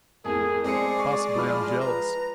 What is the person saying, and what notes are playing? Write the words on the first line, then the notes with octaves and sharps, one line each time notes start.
Possibly I am jealous.
F2 A2 G#4 A#4
G#3 C4 G#4 D5 G#5 C7 C#7
C#6
F3 F4 B5 F6
B4 A#5